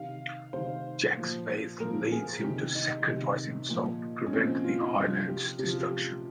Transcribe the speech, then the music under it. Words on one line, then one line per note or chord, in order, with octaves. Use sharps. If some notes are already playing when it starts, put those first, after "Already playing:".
Jack's faith leads him to sacrifice himself to prevent the island's destruction.
Already playing: C3 D#3 F5
C3 D#3 C5
A#2 F3
A#2 F3 A#4
G#4
C3 D#3 G4
D#4
C3 D#3
A#2 F3
C#4
A#2 F3 C4
F4
D#4
C3 F3 F4
G4
C3 F3 G4
F4
G4
G4